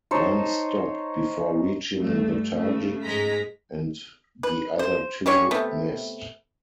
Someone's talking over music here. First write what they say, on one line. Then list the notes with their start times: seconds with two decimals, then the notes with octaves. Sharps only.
One stopped before reaching the target, and the other two missed.
0.11 D#4 C5 C#5 A5
1.98 G2 A3
2.55 C#3 A3
3.04 G#2 G#3 A#5 B6
4.43 B4
4.79 C5
5.26 C#3 D4 G4 C#5
5.51 C3 A3 B3